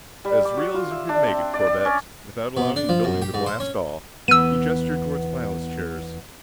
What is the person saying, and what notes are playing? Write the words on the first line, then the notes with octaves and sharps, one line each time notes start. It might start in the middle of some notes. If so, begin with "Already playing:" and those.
"As real as we can make it, Corbett, without allowing the building to blast off." He gestured toward the pilot's chairs.
G3
D6
F#4
F4
E5
D4
C4
D5
D5
C#4
B2
D4
F3
F#2
G4
G#2
C5
C#4
E2 B3 E6 D#7